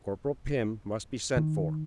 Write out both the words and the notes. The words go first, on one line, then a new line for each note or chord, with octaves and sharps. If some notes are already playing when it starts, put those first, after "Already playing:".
Corporal Pim must be sent for.
D#3